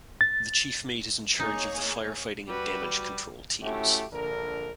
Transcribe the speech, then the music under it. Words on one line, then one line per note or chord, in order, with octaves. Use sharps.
The Chief Mate is in charge of the firefighting and damage control teams.
A6
A#3 D#4 G#4 C#5
G3 F#4 B4
A3 C#4 E4 F#4 G4
A#1 D3 A#4